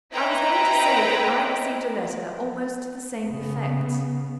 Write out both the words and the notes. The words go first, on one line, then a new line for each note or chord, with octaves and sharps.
"I was going to say that I received a letter almost to the same effect."
C4 D#4 E4 B4 G5 A#5
C#3 B3